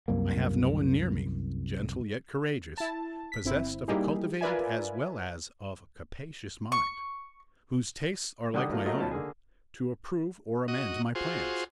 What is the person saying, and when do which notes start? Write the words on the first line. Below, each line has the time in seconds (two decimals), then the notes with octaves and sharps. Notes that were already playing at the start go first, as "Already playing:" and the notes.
I have no one near me, gentle yet courageous, possessed of a cultivated as well as of a capacious mind, whose tastes are like my own, to approve or amend my plans.
0.08 C2 F#2 C3 A#3
2.78 E4 A5
3.32 B6
3.44 G1 C4 E4
3.88 G3 A#3 D#4 E4 G4 G#4
4.41 F4 A#4 B4 D5 E5 G#5
6.72 C#6
8.54 D3 D#3 G3 F#5 D6 D#6
8.69 A2 F#3 A3 A#3 F4
8.85 F#3 A3 F4 F#4 A#4 D#5
8.98 G#1 B2 F3 C#4 A5
9.11 D3 A#3 G#4
10.68 F#4 D#5
11.15 F4 F#4 G#4 C5